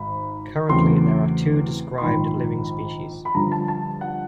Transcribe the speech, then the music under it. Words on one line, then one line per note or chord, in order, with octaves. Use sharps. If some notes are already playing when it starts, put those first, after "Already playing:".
Currently there are two described living species.
Already playing: G#1 G#2 B5
E2 C#3 F#3 A3 C4 C6
C6
A#1 G#2 D#3 B5
B5
G2 D3 F3 A#5
A5
A5
F#5